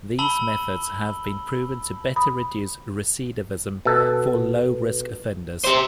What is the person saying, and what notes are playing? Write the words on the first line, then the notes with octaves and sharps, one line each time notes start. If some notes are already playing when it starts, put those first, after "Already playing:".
These methods have been proven to better reduce recidivism for low-risk offenders.
A5 B5 E6 F#7 G7
B5 D#6
B2 A4
G4 C5